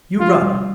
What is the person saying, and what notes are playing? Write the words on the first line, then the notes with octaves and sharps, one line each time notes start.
You run!
D4 F4
G3